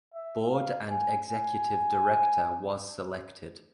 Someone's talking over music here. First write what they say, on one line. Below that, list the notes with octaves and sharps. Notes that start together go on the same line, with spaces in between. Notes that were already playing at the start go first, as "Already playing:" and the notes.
Board and Executive Director was selected.
E5
F5
G#5
G#5